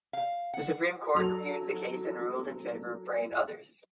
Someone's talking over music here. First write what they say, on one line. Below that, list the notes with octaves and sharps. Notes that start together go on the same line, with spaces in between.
The Supreme Court reviewed the case and ruled in favor of Bray and others.
F5
F#5
F#3 A4 F7